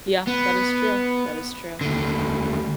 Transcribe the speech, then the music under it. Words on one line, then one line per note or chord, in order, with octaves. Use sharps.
Yeah, that is true, that is true,
B3
D#2 D3